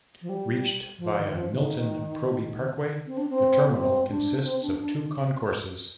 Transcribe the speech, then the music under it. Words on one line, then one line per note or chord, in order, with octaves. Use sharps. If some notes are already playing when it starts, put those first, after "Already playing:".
Reached via Milton Proby Parkway, the terminal consists of two concourses.
F3
G3
F3
D#3
F3
D#3
C4
D4
C4
A#3
C4
D4
C4
D4
D4